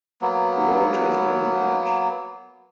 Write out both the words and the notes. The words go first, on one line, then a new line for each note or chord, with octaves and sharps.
The world has gone mad.
F#3 A#3 B3